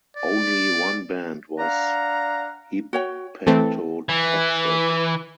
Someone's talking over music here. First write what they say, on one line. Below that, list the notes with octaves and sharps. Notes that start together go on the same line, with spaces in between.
Only one band was hepatotoxic.
D5
D4 F5 F#5 A#5
F#4 C#5 G5
E3 A3 C4 A4
E3